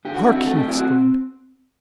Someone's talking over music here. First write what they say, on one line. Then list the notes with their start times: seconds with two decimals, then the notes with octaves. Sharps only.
"Hark!" he exclaimed.
0.05 D3 G4
0.14 F#4
0.25 C4 E4
0.35 F#4
0.46 A3 A4
0.57 G4
0.68 C4 E4
0.78 F#4